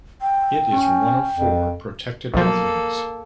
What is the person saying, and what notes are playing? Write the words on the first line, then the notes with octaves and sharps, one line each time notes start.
It is one of four protected wetlands.
G5
C#4
F2
B1 F3 A#3 A4